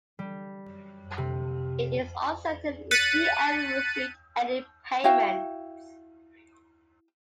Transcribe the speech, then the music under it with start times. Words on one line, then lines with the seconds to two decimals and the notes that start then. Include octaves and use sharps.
It is uncertain if she ever received any payments.
0.19 G3
1.18 C3
2.91 F#6 A6 B6 C#7 D#7
5.04 E4 F#4 F5 G5